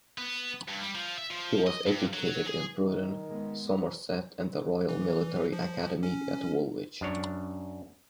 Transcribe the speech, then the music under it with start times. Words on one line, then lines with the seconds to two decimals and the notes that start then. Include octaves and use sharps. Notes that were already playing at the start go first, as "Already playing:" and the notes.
He was educated in Bruton, Somerset and the Royal Military Academy at Woolwich.
0.18 B3
0.68 G2
0.83 G3
0.95 F3
1.17 E5
1.31 F3
1.67 D#5
1.87 G2
2.13 F#3
2.47 G#4
2.85 D#3
3.28 G#3 B3
4.89 E3
5.53 F3
6.03 C#4
7.01 F#2 D4 C#5